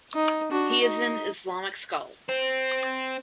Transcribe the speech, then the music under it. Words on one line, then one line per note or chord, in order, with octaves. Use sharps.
He is an Islamic Scholar.
D#4
D4 F#4
D#4
C4